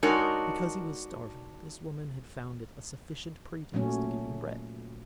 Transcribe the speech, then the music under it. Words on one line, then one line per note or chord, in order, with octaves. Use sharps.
Because he was starving, this woman had found it a sufficient pretext to give him bread.
G#3 D4 D#4 F#4 A#4 C#5
A#2 F#3 A3 C#4